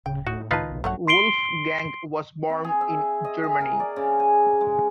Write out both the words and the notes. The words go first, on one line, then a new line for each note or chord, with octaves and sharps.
Wolfgang was born in Germany.
D1 C#3 G5
A2 D#4 F#4
C#2 D#3 D#4 F4 B4 F5 A5
B1
A#1 G2 F3 F#3 A3 C#5 F#5
C6 C7 D7 G7
C4
G#4
E5
D#5
G#4
A#4
D5
C#3
G#5
G#3